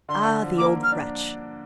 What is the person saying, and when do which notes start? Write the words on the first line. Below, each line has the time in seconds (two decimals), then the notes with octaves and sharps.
Ah, the old wretch!
0.09 D3 C6
0.25 D3
0.42 F3
0.58 A#3 D6
0.76 A#3
0.83 F6
0.92 D4